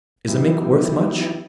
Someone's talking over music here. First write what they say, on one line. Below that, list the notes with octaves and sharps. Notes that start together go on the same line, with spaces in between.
"Is a mink worth much?"
E3 F#3 B3 D#4 E4 G4